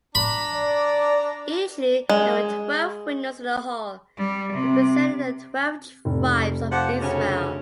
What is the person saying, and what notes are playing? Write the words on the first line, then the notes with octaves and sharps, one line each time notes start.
Initially there were twelve windows in the hall, representing the twelve tribes of Israel.
D4 A#5 B5
D5
G#3
G3
C3
F1
F3 G4 F#5
D2 C#3 C#4